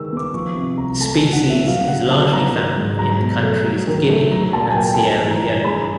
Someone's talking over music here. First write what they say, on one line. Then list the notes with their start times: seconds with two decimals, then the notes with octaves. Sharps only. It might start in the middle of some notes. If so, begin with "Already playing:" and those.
Species is largely found in the countries of Guinea and Sierra Leone.
Already playing: D#3 G#3 E6
0.12 B3 D6
0.34 F3 C#6
0.56 C3
0.78 C2 A#5
1.00 A3 A5
1.17 G#5
1.23 E3
1.33 F#5
1.44 C3
1.50 E5
1.67 F#3 F5
1.88 C#3 F#5
2.10 B3 A5
2.33 F#3 A#5
2.55 D#3
2.77 G#2
2.99 F#3 A#5
3.21 B2
3.43 A3
3.66 F#3
3.87 D#3
4.10 A3
4.31 F#3 A#5
4.53 A#2 A5
4.71 G#5
4.76 A#3 G5
4.94 A5
4.98 A3 G#5
5.20 E3
5.31 A#5
5.42 G2
5.65 G#3 B5
5.73 A#5